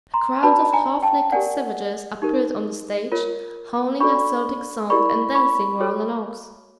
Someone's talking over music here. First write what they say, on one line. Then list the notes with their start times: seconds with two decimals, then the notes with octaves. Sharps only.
A crowd of half naked savages appeared on the stage, howling a Celtic song and dancing round an ox.
0.14 A#5 C6
0.43 D4 F#4 B4 D5 A5 B5
0.73 G#5 A#5
1.03 G5 A5
1.32 G4 A#4 D5 F#5 G#5
2.22 D#4 G4 A#4
3.12 F4 A#4 C#5
4.00 D4 F#4 A4 D5 B5 C#6
4.90 E4 G4 A#4 D5 B5 C#6
5.35 B5 C#6
5.80 F#4 A4 C#5